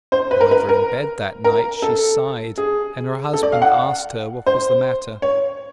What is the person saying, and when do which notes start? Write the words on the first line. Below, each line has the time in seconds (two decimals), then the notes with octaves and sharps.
However, in bed that night she sighed, and her husband asked her what was the matter.
0.12 C5
0.31 B4
0.41 A#4
0.51 B4
0.69 A#4
1.44 A#4
1.82 A4
2.58 G#4
3.33 A4
3.43 D5
3.52 F5
3.62 F#5
4.46 C5
5.22 C#5